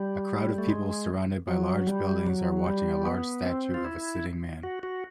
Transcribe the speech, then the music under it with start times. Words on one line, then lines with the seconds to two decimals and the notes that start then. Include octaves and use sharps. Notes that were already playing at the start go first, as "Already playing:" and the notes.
A crowd of people surrounded by large buildings are watching a large statue of a sitting man.
Already playing: G3
0.58 A3
0.69 G#3
1.48 F#3
1.87 G3
2.27 F#3
2.66 G3
3.06 B3
3.46 C4
3.74 F4
3.85 E4
4.63 F#4
4.83 F#4